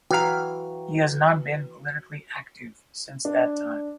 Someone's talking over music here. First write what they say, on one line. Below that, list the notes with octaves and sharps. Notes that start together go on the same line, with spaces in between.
He has not been politically active since that time.
E3 F#4 F5 G5 A#5
D4